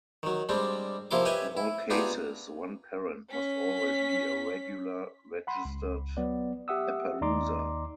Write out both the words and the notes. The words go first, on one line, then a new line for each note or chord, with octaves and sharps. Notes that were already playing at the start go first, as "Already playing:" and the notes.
In all cases, one parent must always be a regular registered Appaloosa.
D#3 F#3
G3 G#3 C4 D4
C3 F3 A#3 E4 C6 D6
G4 B4 C#5 D#5 E5 G#5
E4
B3 D4 D#4 F4 G4 G#4
C#4 B6
F#5 B5 C6
C#2
F#3 B3 D5
G4 E5 F#5 D#6 E6
D#2 D#4 D5 A#5 C6 D6